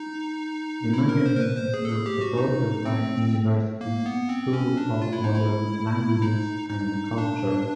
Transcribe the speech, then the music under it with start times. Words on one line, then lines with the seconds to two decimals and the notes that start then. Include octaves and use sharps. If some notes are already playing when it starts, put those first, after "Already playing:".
The magazine is now supported by the University's School of Modern Languages and Culture.
Already playing: D#4
0.94 E4
1.09 A#4
1.26 C5
1.37 A#4
1.41 B4
1.57 C5
1.74 G#4
1.85 A4
1.90 G#4
2.06 G4
2.21 F#4
2.37 D#4
2.85 C4
3.81 A#3
4.06 B3
4.29 C4
4.53 C#4
4.77 D4
5.02 F4
5.13 E4
5.24 D#4
5.35 E4
6.22 D#4
6.69 D#4
7.18 D4